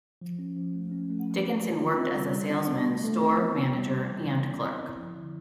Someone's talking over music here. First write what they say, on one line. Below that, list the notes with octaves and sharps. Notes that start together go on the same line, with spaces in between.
Dickinson worked as a salesman, store manager, and clerk.
F3
C#4
F3
A3
C#4
A3
F3
A#3
F#4
F4
C4
G3
G3
D4
B3
A3
A3
C4
B3
B3
G3
G3
E3
B3
E4
C4
E4
F3
D3